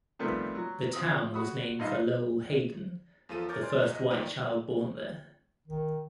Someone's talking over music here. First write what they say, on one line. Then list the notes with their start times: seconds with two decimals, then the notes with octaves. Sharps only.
The town was named for Lowell Hayden, the first white child born there.
0.19 C3 D#3 F3 G3 A3 B3
0.55 F#3
0.93 F3 C4 D#6
1.34 F#4 B5 D#6
1.79 G#1 G2 D#4 E4 D#5 F5
3.29 E2 F3 F4 A4 D#7
3.49 A#4 C#5 D6 G6 A6
3.62 D5 G#5 C6 F6 A6
3.78 B1
3.93 D#5
4.11 F#2 A#2 D#3 D5 G5 D#7
5.68 D#3